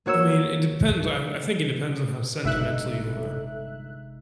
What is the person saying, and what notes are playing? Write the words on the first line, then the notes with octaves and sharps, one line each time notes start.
I mean, it depends. I I think it depends on how sentimental you are
A#3 F#4 C#5 E6 E7
G1 C3 G#3 D#4 A4 E5 F#6